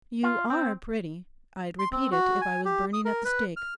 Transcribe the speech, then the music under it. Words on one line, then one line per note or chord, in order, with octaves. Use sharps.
You ARE pretty: I'd repeat it if I was burning at the stake.'
F4
C4
C6
C4
F#4
G#5
G4
D#6
A#4
B4
F6